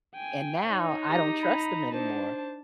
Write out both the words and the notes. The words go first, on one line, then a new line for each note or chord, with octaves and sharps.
and now I don't trust them anymore."
G5 G#5
D#4 C#5
G4 A#5 A#6
A#5 B5
D4 C5 A5